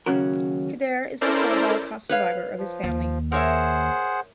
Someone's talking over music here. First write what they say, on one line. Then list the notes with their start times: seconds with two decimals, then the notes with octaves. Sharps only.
Kader is the sole Holocaust survivor of his family.
0.06 D#2 C#3 F#3 C#4 F#4 A#4
1.21 C#4 E4 A4 A#4 C5 D5
2.09 B4 C#5 F5
2.58 F3
2.84 D#2
3.32 G#4 A#4 C5 C#5 E5 F#5